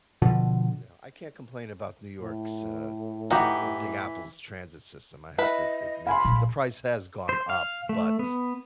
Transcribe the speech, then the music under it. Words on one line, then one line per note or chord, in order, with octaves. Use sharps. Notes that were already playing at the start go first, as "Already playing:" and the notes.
Yeah, I can't complain about New York's, uh, eh, Big Apple's transit system, I have to admit The price has gone up, but
B2 D3 F3
A2
E3 D#4 F#4 G4
E4 B4 D#5
F5 G#5 B5 C6
A#1
C5
F5
A3
B3